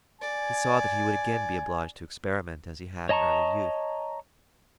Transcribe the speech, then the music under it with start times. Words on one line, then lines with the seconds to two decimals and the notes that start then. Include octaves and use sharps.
He saw that he would again be obliged to experiment as he had in early youth.
0.22 D5 G#5
3.09 C#5 D#5 A5 A#5 C#6